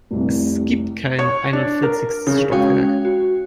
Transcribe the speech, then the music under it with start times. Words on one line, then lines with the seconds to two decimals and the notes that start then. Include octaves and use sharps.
Es gibt kein einundvierzigstes Stockwerk.
0.11 F1 C2
1.19 C#5
1.53 D4
1.83 A#4
2.27 C#3
2.51 G#3 C#4 F#4 C#5 F5 G5
3.05 F#4